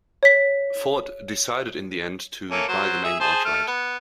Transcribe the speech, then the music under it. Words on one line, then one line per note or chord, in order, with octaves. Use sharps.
Ford decided in the end to buy the name outright.
C#5 B6
A3 A#3 C#4
F#3 C5
G#4 E5
G#4 C5 A5
A3 F6
B3